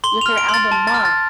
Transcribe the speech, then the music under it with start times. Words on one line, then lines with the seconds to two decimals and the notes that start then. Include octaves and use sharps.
With her album Ma!
0.04 C6 G7
0.21 F7
0.26 F6
0.38 D7
0.49 C6
0.54 A6
0.72 A5
0.87 A6
0.94 F6
1.05 A6